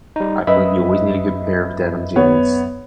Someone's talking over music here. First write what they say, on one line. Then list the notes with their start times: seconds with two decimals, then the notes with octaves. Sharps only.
I feel like you always need a good pair of denim jeans
0.16 G3 D#4
0.47 F#2 B4 D#5 E5 B5
2.16 B3 C#5